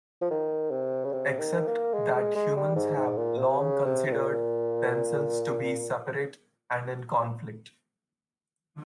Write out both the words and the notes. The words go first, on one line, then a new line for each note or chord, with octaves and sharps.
Except that humans have long-considered themselves to be separate and in conflict.
F3
D#3
C3
C#3
C3
D#3
A#3
G#3
G#3
G#3
G3
G#2
G#2
A#2
C3
C#3
C3
C3
A#2